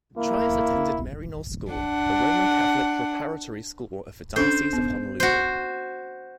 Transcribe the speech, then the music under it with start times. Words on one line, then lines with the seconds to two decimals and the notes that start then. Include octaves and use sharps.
Trias attended Maryknoll School, a Roman Catholic preparatory school of the Diocese of Honolulu.
0.18 A#3 E4
1.73 D4 F#5
4.36 C#4 D4 A4 C5
4.73 B3
5.20 F#4 C5